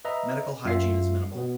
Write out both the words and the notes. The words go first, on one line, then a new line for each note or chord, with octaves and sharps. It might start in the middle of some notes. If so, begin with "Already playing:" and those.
Medical hygiene is minimal.
B4 D#5 E5 A#5
F#2 F4 E5 C7
B2 B3